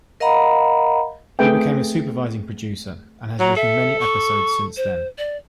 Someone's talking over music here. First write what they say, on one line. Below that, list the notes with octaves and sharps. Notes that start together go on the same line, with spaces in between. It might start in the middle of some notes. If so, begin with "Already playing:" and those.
He became a supervising producer, and has written many episodes since then.
A#4 D#5 F5 F#5 A#5 B5
A3 C4 G#4 B4 E5 G5
F#3 A#5
A4 E5
C#6
C5
D5